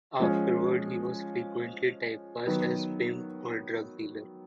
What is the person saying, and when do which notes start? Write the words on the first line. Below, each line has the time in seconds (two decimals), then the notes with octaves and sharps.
Afterward, he was frequently typecast as pimp or drug dealer.
0.20 F3 G#3 C#4
2.47 D#3 F#3 B3